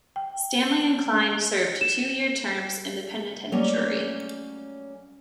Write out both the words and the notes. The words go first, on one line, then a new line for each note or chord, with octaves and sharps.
Stanley and Kline served two year terms in the penitentiary.
G5
E7
F#3 G3 A3 A#3 C#4